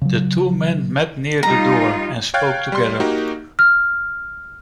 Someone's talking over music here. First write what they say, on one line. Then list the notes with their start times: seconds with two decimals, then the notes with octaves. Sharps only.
The two men met near the door, and spoke together.
0.02 C#3 F#3
1.43 G3 D#4 F4 A#5
2.34 C#5 F5 G5 F#6 G#6 A6
2.72 G3 C6
3.00 A#3 D#4 F#4 G4
3.59 F6